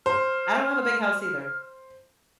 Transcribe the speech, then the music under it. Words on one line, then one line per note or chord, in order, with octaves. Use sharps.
I don't have a big house either.
C5 F6